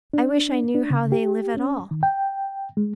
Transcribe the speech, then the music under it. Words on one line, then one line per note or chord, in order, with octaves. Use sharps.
I wish I knew how they live at all.
D4
D4
C#3
G4
C#4
D#3
G5
G#3